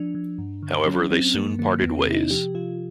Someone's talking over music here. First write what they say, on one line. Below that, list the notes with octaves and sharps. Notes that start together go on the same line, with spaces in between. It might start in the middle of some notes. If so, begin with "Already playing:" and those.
However, they soon parted ways.
Already playing: F3 D4
F3
G2
D3
F#3 C#4
F#3 C4
G2 A#3
D#3 A#3
E2 B3
C#4
C3 E4
D#4
F3 G4
F3 F4